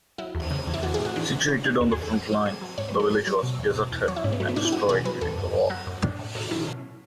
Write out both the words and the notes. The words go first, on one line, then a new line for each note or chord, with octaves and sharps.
Situated on the frontline, the village was deserted and destroyed during the war.
F#3 E4
E2
C#3
E2
E4
E3 F#4
G#4
A2
F#4
E3 D4
E3
C#3 C#4
C#3 D4
E2 F#4
G#4
E2
A4
F#3
F#3
F#3 G#4
F#3
G#2 C#5
B4
F#3
A4
F#3 B4
F#3 C#5
B2
E2
B2
E2
F#3 C#5
E4
G#2 C#4
B3
F#3 A3
B3
G#2 D4
E4
F#3 F#4
B2 G#4
F#3 B4
E2 A4
F#2
F#2
F#3 F#4
F#2
A2 D4
A2
A2 F#4
F#3 E4
B2 C#4